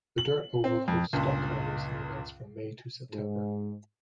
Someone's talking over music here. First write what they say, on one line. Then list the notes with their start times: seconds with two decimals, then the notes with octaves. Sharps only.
The dirt oval hosts stock car racing events from May to September.
0.18 F#7
0.64 C4
0.88 F2
1.13 C#2 G2 A#2
3.12 G#2